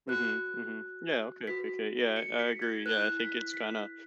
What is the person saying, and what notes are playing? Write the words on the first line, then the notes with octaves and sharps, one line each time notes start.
Mhm, mhm. Yeah, okay, okay. Yeah, I agree. Yeah, I think it's kinda
F#4 B4 F#6
F#4 B4 B6
C#7
B6
G#6
E4 B4 F#6
B6
B6